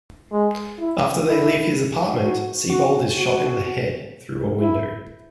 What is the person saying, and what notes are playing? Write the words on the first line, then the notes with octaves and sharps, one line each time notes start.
After they leave his apartment, Siebold is shot in the head through a window.
G#3
E4
E4
F#4
F#4
F#4
E4